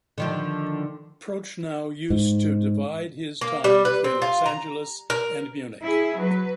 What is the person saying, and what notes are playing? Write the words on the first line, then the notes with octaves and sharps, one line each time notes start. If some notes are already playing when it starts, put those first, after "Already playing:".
Prochnow used to divide his time between Los Angeles and Munich.
D3 D#3 F3
G#2
A#3
G3
B4
C4
F4
A#5
A#4
E4 G#4
F#3 B4